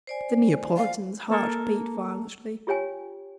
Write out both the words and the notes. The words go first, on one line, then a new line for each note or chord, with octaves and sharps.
The Neapolitan's heart beat violently.
C5 D5 G#5
F5
A#3 A4 A#4
F4 G4 C#5 G5 G#5